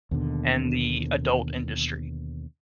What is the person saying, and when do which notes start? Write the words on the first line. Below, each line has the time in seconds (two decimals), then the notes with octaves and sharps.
and the adult industry,
0.11 D#2 B2 D3